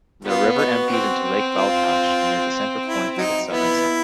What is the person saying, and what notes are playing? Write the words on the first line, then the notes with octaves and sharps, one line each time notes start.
The river empties into Lake Balkhash near the centerpoint of its southern side.
B3 F4
D#4 F#4
C4
F4
E4
F#3 D#4
B3 E4